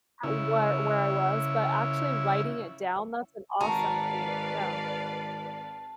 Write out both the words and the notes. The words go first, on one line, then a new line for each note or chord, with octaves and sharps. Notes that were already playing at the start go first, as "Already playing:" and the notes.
how wher where I was," but actually writing it down, that's an awesome thing, yeah.
C#3 E4
G#1 F#4 A#4 B4 D5 F5 A5